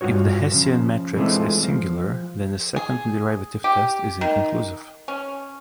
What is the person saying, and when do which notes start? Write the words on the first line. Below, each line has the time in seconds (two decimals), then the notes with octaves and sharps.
If the Hessian matrix is singular, then the second derivative test is inconclusive.
0.01 G2 F4 F#4 C#5
0.52 C#3 F3
1.17 E3 G#3 A3 C4 D4 F4
1.63 F3
2.76 G#4
3.64 G4
4.21 D#3
5.08 C#4